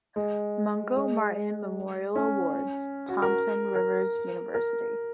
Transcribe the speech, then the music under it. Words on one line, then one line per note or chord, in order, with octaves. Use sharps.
"Mungo Martin-Memorial Awards." "Thompson Rivers University".
G#3
G#3
C#4
F#4
A#4
A#4
A#4